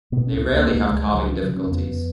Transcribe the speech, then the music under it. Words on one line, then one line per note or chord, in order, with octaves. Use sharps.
They rarely have calving difficulties.
B2 B3
C#2 C#4
B3
C#2 A#3
C#2 A#3
G#3
C#2
G#3
C#2 F#3
C#3 F3
C#3 F#3
C#4
F2 B3
F2